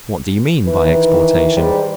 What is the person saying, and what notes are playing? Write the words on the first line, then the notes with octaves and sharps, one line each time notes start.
What do you mean by Exportation?
D#3 E3
G#2 G3